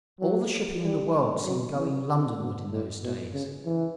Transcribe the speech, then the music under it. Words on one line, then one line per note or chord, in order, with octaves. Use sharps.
All the shipping in the world seemed going Londonward in those days.
F#3
G3
F#3
E3
D3
B2
A2
B2
C#3
E3